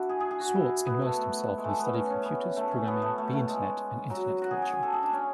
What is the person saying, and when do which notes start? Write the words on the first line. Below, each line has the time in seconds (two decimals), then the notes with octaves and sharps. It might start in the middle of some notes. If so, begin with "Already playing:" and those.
Swartz immersed himself in the study of computers, programming, the Internet, and Internet culture.
Already playing: D4 E4 F#4
0.09 G#4
0.20 G#4
0.31 G#4
0.40 F#4
0.55 E4
0.87 B3
1.02 A3
1.58 G#3
1.64 A3
1.79 B3
1.94 C#4
2.10 C#4
2.25 B3
2.57 A3
2.71 C#4
2.88 B3
3.02 A3
3.18 A3
3.33 A3
3.48 G#3
4.10 F#3
4.42 F#4
4.51 G#4
4.62 G#4
4.72 G#4
4.83 A4
4.93 G#4
5.03 D4
5.13 C#4